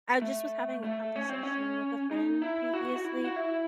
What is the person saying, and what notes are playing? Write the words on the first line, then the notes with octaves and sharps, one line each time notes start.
I just was having a conversation with a friend previously
A3
A3
C#4
C4
C#4
D#4
E4
F#4
F#4
E4
F#4
E4